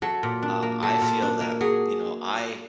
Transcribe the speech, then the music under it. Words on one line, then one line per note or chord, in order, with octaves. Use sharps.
Um, I feel that, you know, I
F#3 A4
A#2
D4
A#3
F#3 A4
A#2
D4
A#3
F#3 G#4